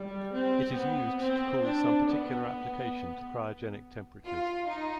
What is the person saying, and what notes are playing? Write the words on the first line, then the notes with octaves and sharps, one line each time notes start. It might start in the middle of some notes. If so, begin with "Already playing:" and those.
It is used to cool some particular application to cryogenic temperatures.
Already playing: G3
C4
B3
C4
D4
B3
F4
D#4